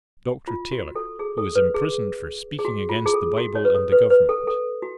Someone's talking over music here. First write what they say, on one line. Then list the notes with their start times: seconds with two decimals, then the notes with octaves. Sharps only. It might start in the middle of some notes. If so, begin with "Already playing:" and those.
Dr. Taylor, who was imprisoned for speaking against the bible and the government.
0.48 F4
0.71 F#4
0.96 A4
1.19 G#4
1.38 A4
1.55 B4
1.74 G#4
2.59 G#4
2.65 F#4
2.89 F4
3.06 G#4
3.14 A4
3.38 F#4
3.55 C#5
3.65 B4
3.74 A4
3.92 B4
4.10 B4
4.29 A4
4.47 A4
4.82 F#4